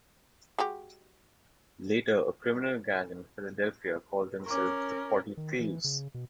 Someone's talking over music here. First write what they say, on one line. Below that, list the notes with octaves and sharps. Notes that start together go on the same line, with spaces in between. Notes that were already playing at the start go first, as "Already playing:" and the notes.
Later a criminal gang in Philadelphia called themselves the Forty Thieves.
G#3 F#4 G4
C#4 A#4 C#6 D6
D#3
E3
C#3
B2